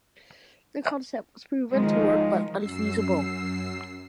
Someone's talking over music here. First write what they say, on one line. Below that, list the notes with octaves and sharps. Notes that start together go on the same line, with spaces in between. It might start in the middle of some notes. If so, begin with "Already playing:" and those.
The concept was proven to work, but unfeasible.
D#3 F3 G#3
F#2 E6 C7